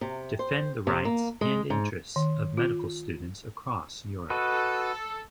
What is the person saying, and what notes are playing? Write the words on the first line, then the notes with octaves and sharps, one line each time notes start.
Defend the rights and interest of medical students across Europe.
C3
C5
C3
A#3
G#3
G#2
D#3
F4
F#4 A4 B4 D#5